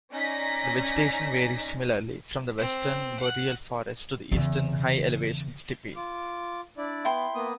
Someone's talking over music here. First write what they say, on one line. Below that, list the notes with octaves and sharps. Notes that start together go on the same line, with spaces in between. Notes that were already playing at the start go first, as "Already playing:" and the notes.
The vegetation varies similarly, from the western boreal forest, to the eastern high-elevation steppe.
C#4 D#4 D5 G#5 A#6 B6
C4
F#5
E2 C#3
F4 D6
D4 E4 D5
B3 E4 G5 C6
A#3 B3 D#6